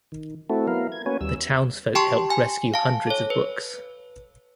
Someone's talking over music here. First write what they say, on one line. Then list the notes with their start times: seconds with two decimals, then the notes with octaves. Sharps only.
The townsfolk helped rescue hundreds of books.
0.12 D#3
0.50 A3 C4 E4 F#4 A4
0.67 F#3 B3 E4 A#4 F5
0.92 G#6
1.06 A#3 C#4 F#4 B4 C#5 G#5
1.21 D#2 G3 E6
1.95 G4 G5 A5 C6 C#6
2.30 G#5
2.74 F5 A5
3.07 A4 C#5
3.30 B4